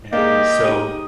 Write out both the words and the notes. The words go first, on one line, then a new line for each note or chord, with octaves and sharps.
and so
A#3 G4 G#4 D5 D#5
D#4 G4 D#6